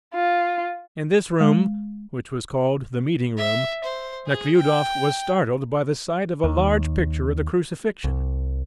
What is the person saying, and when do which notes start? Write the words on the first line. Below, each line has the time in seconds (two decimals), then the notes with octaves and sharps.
In this room, which was called the meeting-room, Nekhludoff was startled by the sight of a large picture of the Crucifixion.
0.15 F4
1.40 G#3
3.37 E5
3.84 C5
4.27 G#4
4.56 G5
6.44 D#2
8.04 C2